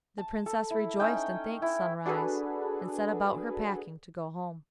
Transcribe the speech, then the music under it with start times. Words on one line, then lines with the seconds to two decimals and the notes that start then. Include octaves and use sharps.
The Princess rejoiced, and thanked Sunrise, and set about her packing to go home.
0.18 A5
0.46 A4
0.70 E4
1.00 C#4 D#4 G5
1.62 E4
2.06 D4 F#4 G#4 A4 B4